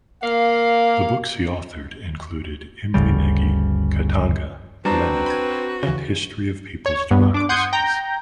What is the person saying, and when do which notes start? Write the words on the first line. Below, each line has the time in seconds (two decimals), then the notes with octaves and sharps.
The books he authored included "Imre Nagy", "Katanga", "Lenin" and "History of People's Democracies".
0.23 A#3 F5
2.94 G1 D2 C#3 G3
4.85 G3 C4 D4 F#4 B4 A5 A#5
5.26 B5 G6 G#6
5.83 C#3 E3
6.86 C#5
7.11 G2 B3
7.34 D4 D6
7.49 F#5 C6 D#6 G6 G#6 C#7
7.73 G5 A#5 G6 A#6